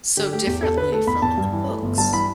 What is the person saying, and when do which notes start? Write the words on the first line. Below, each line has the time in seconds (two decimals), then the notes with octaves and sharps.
so differently from in the books.
0.17 D3 G4
0.33 A3 G4
0.47 E2 G4
0.62 E2 A4
0.77 D3 B4
0.92 A3 A4
1.07 E2 B5
1.22 E2 A5
1.38 G2
1.53 E3
1.68 A3
1.82 G1
1.98 G2 A5
2.13 E3 B5